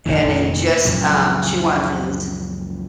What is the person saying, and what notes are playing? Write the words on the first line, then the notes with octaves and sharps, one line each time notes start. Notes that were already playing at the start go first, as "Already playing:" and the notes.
and they just, um, chew on things,
F1 C2 A#2 D#3
C#2 F#2 A#2 F3